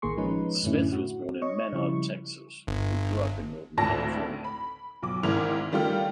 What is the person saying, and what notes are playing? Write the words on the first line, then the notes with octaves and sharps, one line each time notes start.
Smith was born in Menard, Texas but grew up in Northern California.
A1 D#3 A#3 G#4 C6 C#6
F3 G#3 C#4 D#4 B4
F#2 A2 D3 A3 C#4 E4
F#4
C#5 D#5 C#6
C#3 F3 G3 E4 C#6
G1
G#1 D2 A2 A5 A#6
B5
B1 D6
G#1 G#2 D#3 E4 F6 F7
D#3 G3 A3 F4 G5 F6